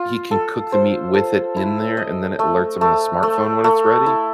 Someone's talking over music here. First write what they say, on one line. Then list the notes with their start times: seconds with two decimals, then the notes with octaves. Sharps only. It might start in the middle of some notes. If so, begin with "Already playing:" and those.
he can cook the meat with it in there, and then it alerts him on the smartphone when it's ready?
Already playing: F4
0.31 A4
0.72 C5
1.14 A4
1.57 E4
1.97 D#5
2.39 A3
2.81 A3
3.23 A3
3.64 A3
4.06 E4